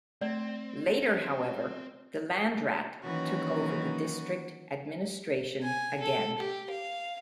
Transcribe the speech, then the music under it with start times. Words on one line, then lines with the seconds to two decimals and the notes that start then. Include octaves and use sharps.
Later, however, the "Landrat" took over the district administration again.
0.22 A3 C4 D5
3.03 D#3 E3 F#3 A#3 C#4 F#4
5.63 G#5
6.01 A4
6.38 G4
6.70 F5